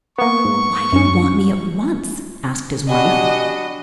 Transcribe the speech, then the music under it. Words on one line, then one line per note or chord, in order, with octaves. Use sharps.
"Why do you want me at once?" asked his wife.
A#3 B3 C#6
G#2
F#2 C#4
D4 F#4 G4 D#5 F#5 G#5 B5